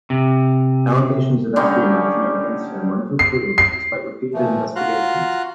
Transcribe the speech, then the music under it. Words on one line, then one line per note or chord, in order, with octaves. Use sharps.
Allegations of espionage made against him were never proved despite repeated investigations.
C3
D3 G3 C#4 D#4
C7
C7
A#2 E3 F3 A3
F4 F#4 F5 A#5 C6 F#6